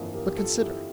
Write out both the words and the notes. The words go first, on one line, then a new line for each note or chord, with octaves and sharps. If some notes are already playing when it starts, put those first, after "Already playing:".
But consider.
Already playing: G1 F2 E3 A#3
G4 A#4
G4
F4 A4
E4 G4